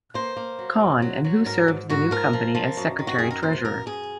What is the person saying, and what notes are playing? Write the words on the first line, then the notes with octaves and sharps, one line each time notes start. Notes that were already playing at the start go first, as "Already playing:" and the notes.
Conn, and who served the new company as secretary-treasurer.
A#3 C5
A#3
F#3
F#2
F#3
F#3
G#2 A#4
G#2
G#2 F#4
F3 A#4
F3
F3
F#2
D#3
F#4
F#2 G#4
A#4
A#3 C5
F#2 A#4
F#2 G#4